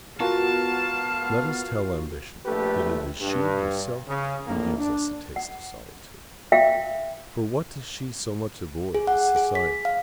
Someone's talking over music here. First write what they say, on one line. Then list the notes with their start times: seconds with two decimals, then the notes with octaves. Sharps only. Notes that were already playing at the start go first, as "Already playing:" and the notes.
Let us tell ambition that it is she herself who gives us a taste of solitude; for what does she so much avoid as society?
0.20 B3 F4 F#4 A#4 F5 A5
2.46 A#1 A3 G4 A4 B4
3.21 G2
4.08 C#3
4.47 A#1 A2 A#3
4.78 D4
5.36 F#5
6.52 E5 F5 G5
8.95 G#4
9.07 F#5
9.36 G#4
9.55 B6
9.85 F5